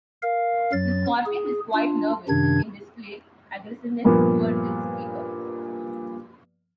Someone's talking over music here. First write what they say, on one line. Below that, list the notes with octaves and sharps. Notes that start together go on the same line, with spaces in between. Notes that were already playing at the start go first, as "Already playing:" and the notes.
This scorpion is quite nervous and can display aggressiveness towards its keeper.
A#4 F5
F#2 F#3 A6
G#4
D4 F4
F#2 C3 D#3 D4 G#6
G2 A#2 F3 A#3 B3